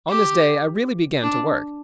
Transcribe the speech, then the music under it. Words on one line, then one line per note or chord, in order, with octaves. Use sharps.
On this day I really began to work.
G4
D4